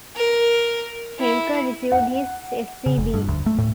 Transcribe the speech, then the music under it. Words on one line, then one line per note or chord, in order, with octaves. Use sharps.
Shenker received his Sc.B.
A#4
E4
F#5
C#3
F1
G2
D2
A3
A2